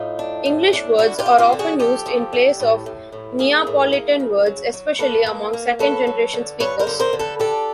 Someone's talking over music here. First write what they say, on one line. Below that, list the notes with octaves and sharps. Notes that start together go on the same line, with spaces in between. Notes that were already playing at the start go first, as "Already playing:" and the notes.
English words are often used in place of Neapolitan words, especially among second-generation speakers.
Already playing: A2 D#4 F4
D4
A2
D4
D3 E4 F#4
F4 G4
C4
F4 G4
D3
F#4 G#4
F3 G4 A4
F3
D3
A2
A2
A2
A#3 G#4 A#4
A2
A#3
C#3
F#3
F#3
A#3 A4 B4
A#3
A#3
F#3 A4 B4
F#3
D3
G2 B4 C#5
A#4 C5
D3
A#4 C5
D3
A4 B4
D4 G4 A4